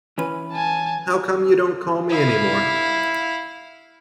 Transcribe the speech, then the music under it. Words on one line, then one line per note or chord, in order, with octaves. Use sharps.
How Come U Don't Call Me Anymore?
E3 C#4 B4
G#5 A5
E4 F5